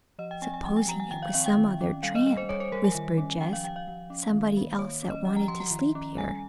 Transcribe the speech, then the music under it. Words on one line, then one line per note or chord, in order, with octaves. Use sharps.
"Supposing it was some other tramp," whispered Jess, "somebody else that wanted to sleep here!"
F3 D#5
G5
C4 G#5
G#5
F3 G5
G#5
F3 A#5
G#5
D#3 G5
F5
C4 F5
G5
D#3
C#4
G3 F5
D#5
G3 D#5
C5
G3 C#5
C5
G3 A#4
G#5
D#3
C#4
F3 G5
F5
F3 G5
F5
F3
C#4
D#3
A#3
D#3 C#5
C#4
D#5
F3 G5
A#5
F3 C6
A#5
D#3
C#4
G3 G#5